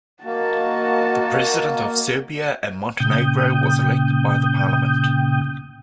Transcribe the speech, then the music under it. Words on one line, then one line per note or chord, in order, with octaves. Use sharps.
The president of Serbia and Montenegro was elected by the parliament.
A#3 F#4 D#5 A5
A#2 C#3 G5 D#6 G6